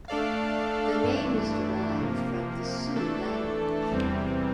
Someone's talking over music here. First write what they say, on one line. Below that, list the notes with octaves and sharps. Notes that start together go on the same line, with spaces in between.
The name is derived from the Sioux language.
A3 D4 A4 D5 F5
G2 E3 A3 D4
C3 F3 A#3
E3 A3 D4 A4
E2 C3 E3 G3 C4